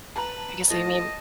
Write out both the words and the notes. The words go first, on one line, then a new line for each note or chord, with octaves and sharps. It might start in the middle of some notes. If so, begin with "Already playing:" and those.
guess I mean
B4 A5 A#5
A2 F3 A3 D#5 A5